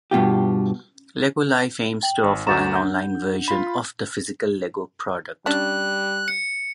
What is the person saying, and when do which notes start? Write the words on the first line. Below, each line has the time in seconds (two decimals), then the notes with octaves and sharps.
Lego Life aims to offer an online version of the physical Lego product.
0.11 G2 B2 F4 G4
2.03 G5 F#7
2.23 G#1
2.47 D2 F#4 A#5 G6 A6 E7
2.75 D4 F#5 G6
3.48 F4 B5
5.46 G3 C#4 D4 F#6
6.28 C#7